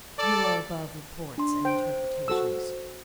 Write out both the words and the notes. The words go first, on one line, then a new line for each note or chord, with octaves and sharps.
"You are above reports and interpretations."
A4 D5
D4 C6
C5 G5
F#4 A4 E6